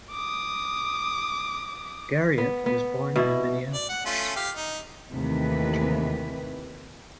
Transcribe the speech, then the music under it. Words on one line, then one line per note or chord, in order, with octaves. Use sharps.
Garriott was born in Minneapolis.
D6 D#6
B3
B3
B2 E4
D5
F#5
A3 C#4 F4
G4 F5
D#4
D#2 C3 D#3 E3 A3 B4